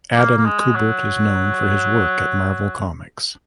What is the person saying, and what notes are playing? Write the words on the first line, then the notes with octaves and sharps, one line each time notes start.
Adam Kubert is known for his work at Marvel Comics.
A#3
A#3
G#3
F#3